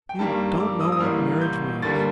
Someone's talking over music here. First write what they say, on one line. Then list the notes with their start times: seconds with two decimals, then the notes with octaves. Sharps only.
"You don't know what marriage means!"
0.09 G5
0.19 G2 D#3 G3 A#3 A5
0.60 D6
0.80 D#6
0.92 D#6
1.00 A1 A2 G3 A#3 F6
1.42 G6
1.82 D#2 D3 G3 A#3 A6